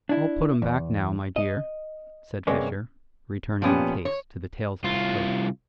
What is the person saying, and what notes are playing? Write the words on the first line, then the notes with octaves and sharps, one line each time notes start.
"I'll put 'em back now, my dear," said Fischer, returning the case to the tails of his coat.
D4 E4
E2
D#5
G2 C3 G#3 A#3 B3 C#4
A#2 F3 B3 C#4 G4
C#5
C2 F4